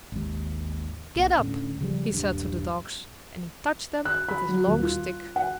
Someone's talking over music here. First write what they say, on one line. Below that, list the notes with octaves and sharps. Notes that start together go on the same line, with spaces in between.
"Get up!" he said to the dogs, and he touched them with his long stick.
G#1 D#2
B1 B2
D2 A2 D3 C#4
C#3 F3 G3
D#1 G2
F#6
B5
F#3
D#1
F4
F#5